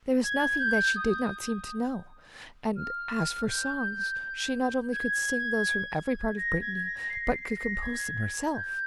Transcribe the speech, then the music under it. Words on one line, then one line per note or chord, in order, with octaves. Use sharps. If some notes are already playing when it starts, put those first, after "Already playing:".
There was nothing that she did not seem to know, and as for songs she not only could sing those from every part of Brittany, but could compose them herself.
G#6
G6
D#6
F6
G6
G#6
A#6
G#6
A#6
C7
C7
A#6
G#6
G6